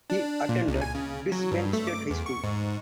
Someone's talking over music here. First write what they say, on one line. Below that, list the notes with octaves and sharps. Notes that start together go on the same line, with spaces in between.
He attended Brisbane State High School.
D4
A#2
C#2
G#5
C#3
F#3
G2
A3
D6
E2
C#6
G#2